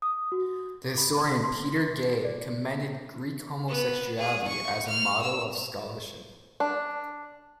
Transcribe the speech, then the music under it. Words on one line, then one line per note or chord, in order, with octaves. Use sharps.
The historian Peter Gay commended "Greek Homosexuality" as a "model of scholarship".
D#6
F#4
B5
C6
D5
B3
G#4
C#6
F6
E6
D4